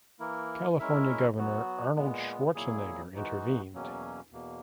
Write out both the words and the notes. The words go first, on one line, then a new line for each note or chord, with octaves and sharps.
California governor Arnold Schwarzenegger intervened.
E3 A#3 E4 A#4
G#3 C#4 E4 A#4 E5
F#3 B3 F#4
A#2 G#3 B3
A#2 F#3 A#3 E4 G#4
E3 G#3 D#4 F#4
E2 B2 F#3 A#3 C#4
E2 B2 A#3